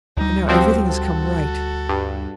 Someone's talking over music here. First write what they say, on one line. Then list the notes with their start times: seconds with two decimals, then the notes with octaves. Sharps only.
And now everything has come right.
0.17 D2 G3 D#4
0.48 F3 C4 F#4 G4
0.84 F#4 A4
1.89 G2